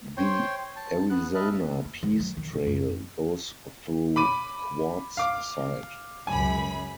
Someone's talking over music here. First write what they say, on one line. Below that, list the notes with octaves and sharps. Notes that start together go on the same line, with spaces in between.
The Arizona Peace Trail goes through Quartzsite.
C5 C#5 G5 C6
A5
B3 F#6
B4 D#5 E5 A5 F6 F#6
C#4
D#3
F#3
D#3
C3
F#2
B5 D6 D#7
F5 D6
C#2 F#2 G#5 B5